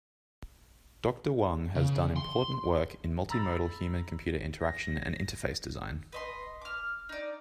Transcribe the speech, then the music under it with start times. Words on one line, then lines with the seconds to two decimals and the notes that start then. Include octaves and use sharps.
Doctor Huang has done important work in multimodal human computer interaction and interface design.
1.75 C#3
2.16 C6
3.30 A#5 B5 E6 A6
4.60 A#6
6.12 B4 D#5 C6
6.61 D6 F6
7.09 D#4 D5